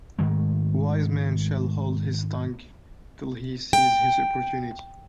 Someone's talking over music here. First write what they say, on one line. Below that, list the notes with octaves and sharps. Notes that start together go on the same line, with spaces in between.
A wise man shall hold his tongue till he sees his opportunity.
G#2 D#3 G#3 A3
G5